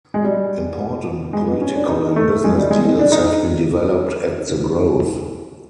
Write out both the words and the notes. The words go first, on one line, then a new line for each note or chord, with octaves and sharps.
Important political and business deals have been developed at the Grove.
G#3
G3
G#3
B3
C#4
D4
D#4
A3
G#3
G3
G#3
C4
D4
D#4